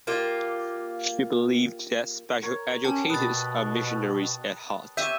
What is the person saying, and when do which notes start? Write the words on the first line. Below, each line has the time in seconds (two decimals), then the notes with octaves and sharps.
She believed that special educators are missionaries at heart.
0.07 A#3 F4 G4
2.42 A#4 C#5 A#5
2.85 C#4 G4 A5
3.10 B2 B4 D#6 A6
4.97 C4 G4 C#5 E5 G6 D#7